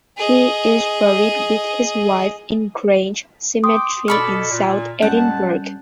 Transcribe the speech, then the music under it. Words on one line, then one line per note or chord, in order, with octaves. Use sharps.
He is buried with his wife in Grange Cemetery in south Edinburgh.
G#4 D#5
G5 C6 D6 D#6
B2 A4 D5 B5 C#6 F6
A#2
F2 A#2 G3 C#4 F#5 A5 G6